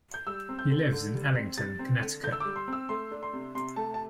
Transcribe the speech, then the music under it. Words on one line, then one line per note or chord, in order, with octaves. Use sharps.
He lives in Ellington, Connecticut.
G6
G3 E6
C4
G6
D3
D3
G3
C4
G3 A6
C4
D3
D3 G6
E6
G3 D6
C6
C4 E6
A3 C6
D4
C6
C3
C3 C6
A3 A5
A5